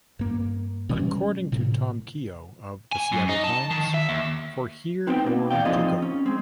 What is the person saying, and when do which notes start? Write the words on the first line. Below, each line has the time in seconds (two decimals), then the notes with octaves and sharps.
According to Tom Keogh of "The Seattle Times" ""For Here or to Go?
0.19 G2 A#3
0.89 B2 E3 G3 C#4
1.52 A2 C3
2.92 G#5
3.12 F#2
3.29 D#4
3.44 A5
3.71 D#3
3.94 E5
4.09 D#2
5.07 B3 C4 D#4 B4 F#5 G5
5.27 A#3
5.50 A#2 E3 D5 F5 G5
5.65 F3 C4 D#4 G#4 D#5
6.02 C#4
6.26 G#3 C4